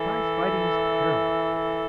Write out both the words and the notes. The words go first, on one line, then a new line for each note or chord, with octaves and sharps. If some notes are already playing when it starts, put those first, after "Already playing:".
Prize-fighting is terrible.
Already playing: E3 A4
A4